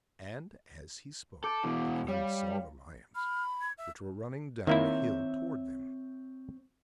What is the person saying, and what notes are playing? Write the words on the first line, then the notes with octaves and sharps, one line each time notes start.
And, as he spoke, the Queen saw the lions, which were running down a hill toward them.
A4 D6 G6 D7
B2 E3
G3 C#5 F5
B5 F6
G#6
E5
D#3 A#3 C4 E4 C#5 E5